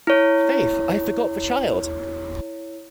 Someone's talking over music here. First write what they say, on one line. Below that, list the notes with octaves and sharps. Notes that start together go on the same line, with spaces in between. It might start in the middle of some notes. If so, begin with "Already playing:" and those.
Faith, I forgot the child!
E4 C#5